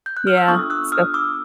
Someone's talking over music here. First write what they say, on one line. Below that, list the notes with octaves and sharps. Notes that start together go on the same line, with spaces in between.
Yeah, so
G6
F#6
F6
E6
B3 D4 F4 A4 C#6 D#6
E6 F#6
D#6 F6
D6 E6